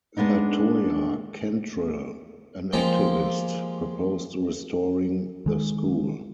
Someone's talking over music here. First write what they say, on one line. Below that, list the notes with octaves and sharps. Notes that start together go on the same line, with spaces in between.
LaToya Cantrell, an activist, proposed restoring the school.
G#3 B3 D4 D#4
F3 G#3 A#3 F4 G4
D#3 G#3